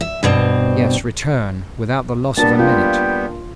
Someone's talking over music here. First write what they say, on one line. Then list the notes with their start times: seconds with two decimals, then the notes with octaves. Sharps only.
"Yes, return, without the loss of a minute."
0.01 E5
0.23 G2 B2 C4
2.37 G3 A#3 B3 D4 A#4 A5
2.59 F4 G5